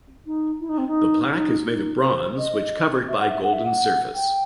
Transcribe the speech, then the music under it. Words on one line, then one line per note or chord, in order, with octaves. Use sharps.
The plaque is made of bronze which covered by golden surface.
D#4
E4
D#4
C4
D#4
D#4
D#4
C5
D#5
E5
F#5
E5
F#5
E5
F#5
G5